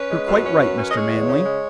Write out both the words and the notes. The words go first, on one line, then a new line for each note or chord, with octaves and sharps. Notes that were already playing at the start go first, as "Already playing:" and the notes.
You're quite right, Mr. Manley.
Already playing: C#4 B4
G#3
F#2
C#4
F#2
C#4
D#5
G#3 C#5
E2
C#3
G#3